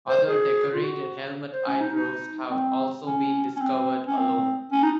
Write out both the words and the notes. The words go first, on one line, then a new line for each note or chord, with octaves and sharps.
Other decorated helmet eyebrows have also been discovered alone.
C5
G#4
F4
F#4
C5
C#4
D#4
D#4
C4
C#4
C#4
C4
C#4
C4
C#4
D#4